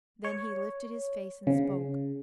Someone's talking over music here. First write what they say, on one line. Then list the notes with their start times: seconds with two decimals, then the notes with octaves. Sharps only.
Then he lifted his face and spoke.
0.24 C#5
1.47 C#3